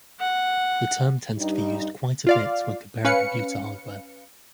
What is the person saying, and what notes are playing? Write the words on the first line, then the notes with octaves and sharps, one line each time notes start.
The term tends to be used quite a bit when comparing computer hardware.
F#5
G2 G3 D#4
F4 D5 F5
C#4 B4 F5 C#7